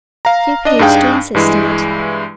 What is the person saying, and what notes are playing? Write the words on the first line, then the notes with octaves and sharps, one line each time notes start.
"She appears to insist on it."
F5 A#5
D4 D#5
G2 D4 D#4 G#4 F5 G5
G2 E3 G#3 E4